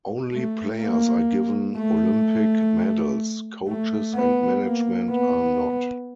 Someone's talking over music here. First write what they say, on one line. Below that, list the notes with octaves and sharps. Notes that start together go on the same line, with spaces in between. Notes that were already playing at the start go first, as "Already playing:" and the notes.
Only players are given Olympic medals; coaches and management are not.
A3
A#3
A3
A3
B3
A#3
B3